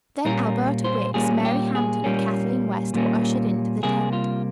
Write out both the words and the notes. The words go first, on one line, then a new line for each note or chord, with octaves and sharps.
Then Alberta Wicks, Mary Hampton and Kathleen West were ushered into the tent.
A#2 G3 A#3 C#4 A#4
C5
A#2 G3 A#3 C#4 G#4
G4
G#4
A#2 G3 A#3 C#4
A#2 G3 A#3 C#4
C3 G3 A#3 G#4
F4